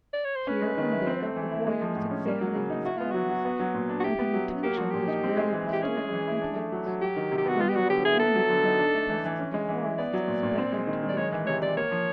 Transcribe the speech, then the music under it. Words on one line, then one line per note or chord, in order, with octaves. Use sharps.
Here and there a warrior was examining his arms, with an attention that is rarely bestowed on the implements, when no other enemy than the beasts of the forest is expected to be encountered.
D5
C#5
C5
C#4 B4
G#3
D#3
E4
C4
A3
E3
E4
G#3
F3
A2
C#4
A#3
F#3
C#3
D#4
E4 F#4
B3 F4
F#3 F#4
F#3
B3
F#3
A#2
D4
F#4
E4 G4
B3
F#3
F#3
A#3 G4
F3 F#4
A#2 G4
D#4
C4
G#3
E3
E4
G4
C#4 G#4
G#3
E3
E4
D4
A3
F#3
F#3
F#3 G4
D#3
C3
G4
B3 F#4
B3 F4
G4
F#3 F#4
D3 G4
E4 G#4
B3 A4
F#3
D3
D#4
D4
A3
E3
E3
C#4
G#3
E3
E4
B3 D5
F#3
A#2
A#2
C4
G#3
D#3
D#3
D5
G#3 C#5
E3
C3 C#5
C3 D5
A#3 C#5
F3